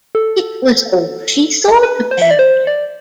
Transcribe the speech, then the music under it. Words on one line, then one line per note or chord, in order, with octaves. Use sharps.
It was all she thought about.
A4
B4
C5
E5
D5
C5
D5